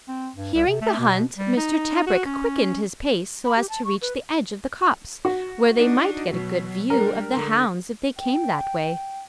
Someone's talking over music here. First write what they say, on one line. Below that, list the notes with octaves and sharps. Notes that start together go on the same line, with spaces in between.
Hearing the hunt, Mr. Tebrick quickened his pace so as to reach the edge of the copse, where they might get a good view of the hounds if they came that way.
C4
G2
C2
C3
A3
B2
G3
D#4
F#4
C#4
B5
G4
A5
C#6
B4
F#4
D4 D#4
B2 F#3
G3 D4 A#4
D3
G5